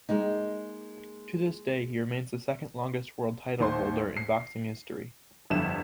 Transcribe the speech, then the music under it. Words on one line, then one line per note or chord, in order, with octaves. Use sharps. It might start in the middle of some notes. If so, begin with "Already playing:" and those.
To this day he remains the second longest world title holder in boxing history.
G#3 A#3 D#4
D#2 C5 C6
C7
G1 F2 E4 E7